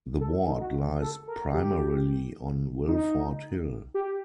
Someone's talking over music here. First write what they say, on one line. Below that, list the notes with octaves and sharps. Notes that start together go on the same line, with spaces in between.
The ward lies primarily on Wilford Hill.
A4
D#4
F#4
A4
A#4
G4
D#4
G4